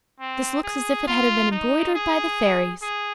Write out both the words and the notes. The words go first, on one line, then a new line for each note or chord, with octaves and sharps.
'This looks as if it had been embroidered by the fairies!
C4
G#4
F4
D#4
G#4
G#4